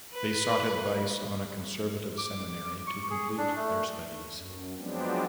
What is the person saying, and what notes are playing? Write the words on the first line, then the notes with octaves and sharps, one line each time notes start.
They sought advice on a conservative seminary to complete their studies.
B4
D6
C#6
G#4
D4
A3
F#2
F3 F#3 G#3 B3 C4 D4